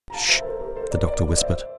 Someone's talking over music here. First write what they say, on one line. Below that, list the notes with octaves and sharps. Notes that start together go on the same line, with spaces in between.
"Sh!" the Doctor whispered.
A#5
F5 A5
C5 E5
A#4
A4 C5
G4 A#4
A4 C5
A#4 D5
A#4 D5
D5
C5 E5